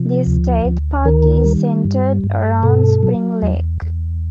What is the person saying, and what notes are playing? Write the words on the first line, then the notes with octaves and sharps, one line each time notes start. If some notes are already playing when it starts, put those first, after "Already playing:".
The state park is centered around Spring Lake.
Already playing: C3 F3
D2
D2
D#3 A#4
G3
G2
G2
B2 A4
F#3
E2
E2